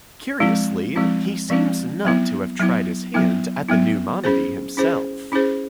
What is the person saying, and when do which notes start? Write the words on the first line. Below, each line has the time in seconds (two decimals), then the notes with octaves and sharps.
Curiously, he seems not to have tried his hand at the new monody himself.
0.40 F3 G#3 C4 E4
0.96 F3 G#3 C4 E4
1.50 F3 G#3 C4 E4
2.05 F#3 B3 E4
2.60 F#3 B3 E4
3.14 F#3 B3 E4
3.69 F#3 B3 E4
4.24 C#4 E4 G#4 C5
4.77 C#4 E4 G#4 C5
5.32 C#4 E4 G#4 C5